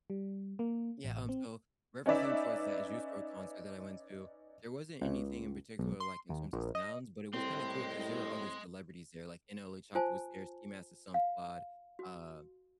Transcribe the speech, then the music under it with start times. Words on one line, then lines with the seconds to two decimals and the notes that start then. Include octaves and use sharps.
Yeah, um, so referencing towards that Juice WRLD concert that I went to, there wasn't anything in particular, like, in terms of sounds, but it was kinda cool 'cause there were other celebrities there, like, NLE Choppa was there, Ski Mask the Slump God, uh,
0.10 G3
0.59 A#3
1.05 A1
1.29 C4
2.06 C#4 D#4 B4 D5 E5
5.01 C#2
5.79 B1
6.00 C6
6.29 D#2
6.53 A#1
6.75 D#5
7.33 C2 A2 C4 D#5 C6
9.95 F4 C5 G#5 A5
11.14 F5
11.99 F#4